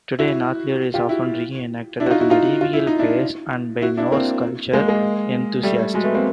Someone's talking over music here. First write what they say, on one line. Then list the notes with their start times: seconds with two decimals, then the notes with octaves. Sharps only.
Today, knattleikr is often re-enacted at medieval fairs and by Norse culture enthusiasts.
0.19 E4 F#4
0.94 F4 G4
1.09 E4 F#4
2.00 D4 E4
2.06 F#4
2.10 D#4 F4
2.20 E4 F#4
2.30 D#4 F4
2.61 F4
2.73 E4
2.87 D#4
2.99 D4 E4
3.82 E4 F#4
3.97 D4 E4
4.12 A#3 C4
4.73 G#3 A#3
4.88 G#3 A#3
5.63 G3 A3
5.94 F#3 G#3
6.04 A3 B3
6.14 A#3 C4